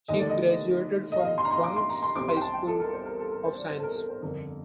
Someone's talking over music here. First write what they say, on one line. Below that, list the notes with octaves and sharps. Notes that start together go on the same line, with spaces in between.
She graduated from Bronx High School of Science.
D#2 D3 A3 D#5
D5
D#5
D#5
F5
D#5
C6
A#5
C6
D6
C6
A#5
C6
C2 C3 G3 C4 D6
C6
G5
A5
G5
A4
A#4
C5
A#4
A4
A#4
C5
D5
C5
A4
A#4
A4
A#4
C5
G1 F2 D3 A#4